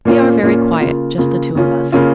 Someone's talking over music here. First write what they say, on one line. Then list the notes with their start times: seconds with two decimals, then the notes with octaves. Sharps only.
We are very quiet, just the two of us.
0.05 A#2 A#3 C#4 F4
0.43 A#2 A#3 C#4 F4
0.80 C#3 A#3 F4
1.18 C#3 A#3 F4
1.55 C#3 A#3 C#4 F4
1.92 C#3 A#3 C#4 F4